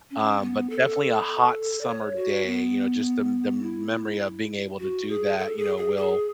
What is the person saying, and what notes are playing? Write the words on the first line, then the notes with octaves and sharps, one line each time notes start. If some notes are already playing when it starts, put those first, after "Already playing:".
um, but definitely a hot summer day, you know, just the m the memory of being able to do that, you know, will
C#4
B3
A4
D5
C#5
F#4
B3
E4
F#4
G#4
A4
G#4
G#4
G#4